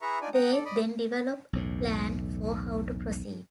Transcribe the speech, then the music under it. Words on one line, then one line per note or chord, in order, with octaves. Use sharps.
They then develop a plan for how to proceed.
E4 G#4 B4 E5 A#5 C#6
D4 D#4 F4 D5 G#5
F#5 G5 A#5 D#6
A4 D5
D5 D#5 B5
B1 E2 A2